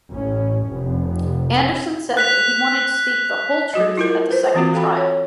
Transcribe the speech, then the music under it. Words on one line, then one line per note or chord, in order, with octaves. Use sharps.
Anderson said that he wanted to speak the whole truth at the second trial.
A1 C#4
F1
F#6 B6 F7
F#3 F#4 D#5
E4 F4 A#4
B4 C5
E3 C4 F4 F#4
F4 A4 F5 G5 B5
C#5